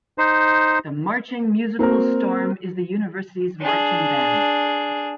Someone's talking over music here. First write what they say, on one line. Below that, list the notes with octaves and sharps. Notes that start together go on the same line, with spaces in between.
The "Marching Musical Storm" is the university's marching band.
D#4 C5
A#3 C4 F#4 A#4
D4 G#4